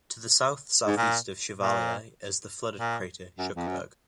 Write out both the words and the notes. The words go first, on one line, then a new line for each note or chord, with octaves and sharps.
To the south-southeast of Chevallier is the flooded crater Shuckburgh.
G#2
A#2
A#2
A#2
F#2
F2
F#2